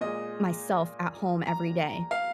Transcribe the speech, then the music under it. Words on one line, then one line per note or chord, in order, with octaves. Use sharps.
myself at home every day,
A#2 G#3 D#5
A#5
F5